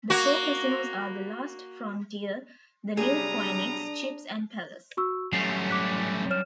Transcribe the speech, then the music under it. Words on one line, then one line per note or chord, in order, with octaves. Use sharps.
The four casinos are the Last Frontier, The New Phoenix, Chips and Palace.
A#3 F#4
C3 F#3 G3 D4 G#4 A#5 D#6
F#4 C#6 E6
F#2 G3 A3 C#4 C7
D6 F#6 B6
C#5 F6 E7